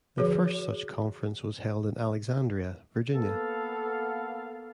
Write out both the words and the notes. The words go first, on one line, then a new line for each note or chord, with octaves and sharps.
The first such conference was held in Alexandria, Virginia.
D3 F3 F#4 G#4 B4 C#5
A#3 B3 A4 F5